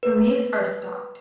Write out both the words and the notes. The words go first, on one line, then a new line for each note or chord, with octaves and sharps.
The leaves are stalked.
B4